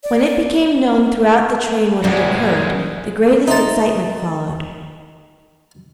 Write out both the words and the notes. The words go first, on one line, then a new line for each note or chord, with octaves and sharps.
When it became known throughout the train what had occurred, the greatest excitement followed.
D5
F#2 G3 G#3 A#3
D#4 E5 A5 C6